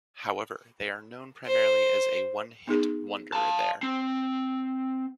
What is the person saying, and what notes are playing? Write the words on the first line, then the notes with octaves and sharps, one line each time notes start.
However, they are known primarily as a one-hit wonder there.
C5
B3 D#4 G#4
F5 A5
C4